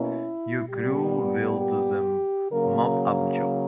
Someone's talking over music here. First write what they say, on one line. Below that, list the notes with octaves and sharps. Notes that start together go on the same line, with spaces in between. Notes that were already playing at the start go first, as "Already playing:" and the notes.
Your crew will do the mop up job.
Already playing: B2 A#3 C#4 E4
A#2 G3 B3 G4
G4
C#3 F#3 A#3 A#4